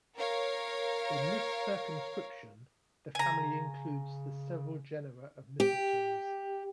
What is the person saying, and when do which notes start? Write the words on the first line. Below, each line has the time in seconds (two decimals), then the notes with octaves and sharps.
In this circumscription, the family includes the several genera of mistletoes.
0.16 A#4 C#5 F5
3.15 C#3 G#5 A#5
5.60 G4